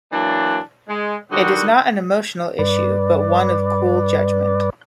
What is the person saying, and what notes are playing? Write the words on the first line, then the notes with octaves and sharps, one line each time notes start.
It is not an emotional issue but one of cool judgment.
E3 F#3 A#3 D4
G#3
D3 D#3 G3 D#4 F#4 F#5
G2 B4 D5